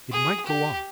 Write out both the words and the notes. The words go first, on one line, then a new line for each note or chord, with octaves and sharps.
"It might go off!"
G#4
G4